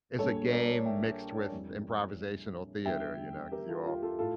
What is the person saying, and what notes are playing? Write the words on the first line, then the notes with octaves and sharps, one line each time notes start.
it's a game mixed with improvisational theater, you know, 'cause you all
A#1 A#2 G3 A4 C#5
A#4 D5
E5 G5
F1 F2 E3 G3
E2 D3 G3 E5 G5
G4 A#4
F4 A4
F4
F4 A4
A2 F4 A4